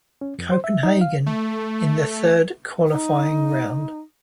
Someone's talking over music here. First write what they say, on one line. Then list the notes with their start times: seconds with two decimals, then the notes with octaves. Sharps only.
Copenhagen in the third qualifying round.
0.21 C#4
0.39 F2
0.52 C5
0.64 E5
0.83 D#4
1.01 F5
1.26 A3
2.86 D#4